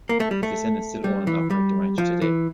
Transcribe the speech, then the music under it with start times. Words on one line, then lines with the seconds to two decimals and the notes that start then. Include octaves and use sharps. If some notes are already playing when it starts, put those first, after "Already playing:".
His descendants still own and operate the ranch today.
0.09 A#3
0.20 A3
0.31 G3
0.43 A3
1.04 G3
1.27 E3
1.50 G3
1.98 F3
2.22 E3